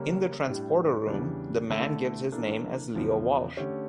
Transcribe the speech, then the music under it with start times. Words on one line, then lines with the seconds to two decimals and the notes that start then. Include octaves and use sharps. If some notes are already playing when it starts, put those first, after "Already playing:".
In the transporter room, the man gives his name as Leo Walsh.
Already playing: C#3 G3 A#3 C#4
0.45 A2 G3 D4 G4
1.07 E2 C#3 E3 G3 D4
1.70 D3 A3 E4 A4
2.32 E3 A#3 D4 A4
2.95 E2 C#3 F3
3.57 D3 A3 C#4 G4